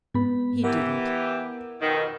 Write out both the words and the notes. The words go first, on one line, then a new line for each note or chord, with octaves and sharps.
He didn't.
G#2 B3 B5
E3 G4 A#4 F#5
F2 B2 D#3